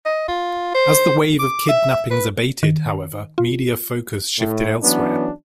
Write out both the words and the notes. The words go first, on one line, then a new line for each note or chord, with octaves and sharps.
As the wave of kidnappings abated, however, media focus shifted elsewhere.
D#5
F4
C5
D6
E5
B4
D#3
F4
A2
E3 F#3 B3 C#4 D4